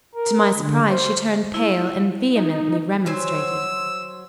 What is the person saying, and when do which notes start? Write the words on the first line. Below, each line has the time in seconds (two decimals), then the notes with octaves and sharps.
To my surprise she turned pale, and vehemently remonstrated.
0.15 A#4
0.57 D3
0.89 C5
1.54 E4
2.36 D#4
3.06 F#3 C5 G#5 E6